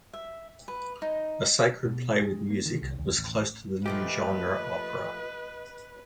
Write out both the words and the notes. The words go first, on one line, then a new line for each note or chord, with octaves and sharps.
A sacred play with music was close to the new genre opera.
E5
B4
D#4
B2
G#3
A#3
D#3
C2
D#2
A1
A#2 F3 A3 G4 B4 D#5